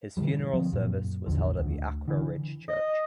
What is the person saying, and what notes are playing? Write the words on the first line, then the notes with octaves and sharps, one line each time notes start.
His funeral service was held at the Accra Ridge Church.
B2 D3 E3 G3
F3 C4
F#2 A#2
A1 E2 D3 F3
D2
D3 E3
D#5